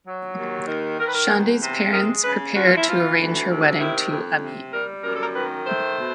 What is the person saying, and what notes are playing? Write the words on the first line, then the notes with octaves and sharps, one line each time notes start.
Chandni's parents prepare to arrange her wedding to Amit.
F#3
D#2
D#3
D#3 A#4
B4
A#4
E2
C3
G#3 A#4
C#3 B4
F3 F#4
F4
E4
E3 F4
D2
C3
D#3 E4
F2
C3
G3 A#4
F#2 A#4
A4
A#4
D#3 B4
A3 C5
B2